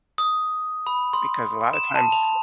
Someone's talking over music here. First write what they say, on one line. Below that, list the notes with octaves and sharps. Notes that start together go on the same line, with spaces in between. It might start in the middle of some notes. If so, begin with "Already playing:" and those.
Because a lotta times
D#6
B5
C6
E7
A5
F7